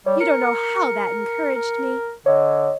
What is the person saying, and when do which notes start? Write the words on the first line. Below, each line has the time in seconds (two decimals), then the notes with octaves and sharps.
You don't know how that encouraged me.
0.06 G3 C#5
0.20 A#4 C#7
1.55 A#4
2.26 D3 C#5 D#5